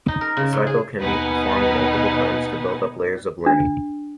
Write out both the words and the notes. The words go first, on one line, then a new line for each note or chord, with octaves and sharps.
The cycle can be performed multiple times to build up layers of learning.
D#4
A#4
C#3
G#2
G#4
D#2 B2 D#4 B4 F#5 G#5
D4